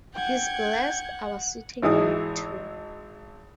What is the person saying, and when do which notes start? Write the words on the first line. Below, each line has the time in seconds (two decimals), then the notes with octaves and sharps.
He's blessed our sitting in, too.
0.15 F#5 G5 G6 G#6
1.82 G#1 E3 D#4 E4 G#4 D#6